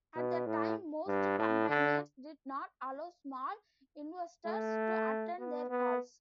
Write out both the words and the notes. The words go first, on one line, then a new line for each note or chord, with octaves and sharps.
At the time, most companies did not allow small investors to attend their calls.
B2
A2
G2
A2
D3
A3
B3
B3